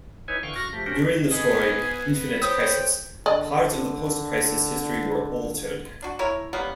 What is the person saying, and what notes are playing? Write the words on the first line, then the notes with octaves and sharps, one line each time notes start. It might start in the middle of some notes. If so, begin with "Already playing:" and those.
During the story "Infinite Crisis", parts of the Post-Crisis history were altered.
D#4 E4 B4 C#5 G#5
D3 E3 F5 G5 C#6
F#2 F#4 C#6 F6 A#6
F3 A3 G4
C#4 D4 F#4 G4 A#4 C5
G#2 B3 G#4 B4 D#5
C5 C#5 G5 D#6
D3 D5 D#5
D4 F#4
E4 A#4 C#5
G3 A#3 B3 C#4